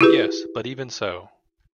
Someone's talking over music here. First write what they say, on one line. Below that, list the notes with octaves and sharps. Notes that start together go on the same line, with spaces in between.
Yes, but even so.
E4 F4 G4 G#4 B4